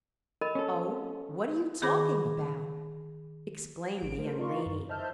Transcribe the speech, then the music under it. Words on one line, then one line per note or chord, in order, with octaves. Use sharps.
"Oh, what are you talking about?" exclaimed the young lady.
A#4 D#5 B5
C#4 A4
D#3 G#4 B5 D6 A#6
G#1 D7
A3 A#4 C5
D#4 F4 A#4 D5 C6 C#6
F#2
C5 D#5 E5 A5 F6 G6